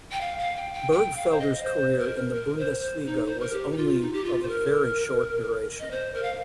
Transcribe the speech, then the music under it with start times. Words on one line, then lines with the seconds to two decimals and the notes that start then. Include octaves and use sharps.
Bergfelder's career in the Bundesliga was only of a very short duration.
0.12 G5
0.21 F5
0.38 F5
0.56 G5
0.74 G5
0.92 G5
1.16 F5
1.31 C5
1.40 D#5
1.63 C5
1.99 A#4
2.35 A#4
2.59 C5
2.82 C5
3.06 D#4
3.27 C5
3.40 A#4
3.53 G4
3.72 D#4
3.77 F4
4.01 D#4
4.13 G4
4.24 F4
4.43 C5
4.48 A#4
5.80 D#5
5.91 C5
6.14 A#4
6.23 F5